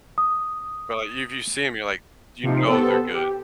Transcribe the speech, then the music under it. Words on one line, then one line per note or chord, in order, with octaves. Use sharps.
but like if you see him, you're like, you know, they're good.
D#6
C3 F3 D#4
B3 G4 A4 C5
G4